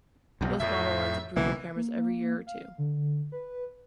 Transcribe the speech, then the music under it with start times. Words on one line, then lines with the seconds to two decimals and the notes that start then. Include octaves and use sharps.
Most model lines improve their cameras every year or two.
0.41 B1 E2
0.60 F2 A2 E5
1.37 B1 C#3 E3 A#3
1.76 A#3
2.47 F5
2.78 D3
3.32 B4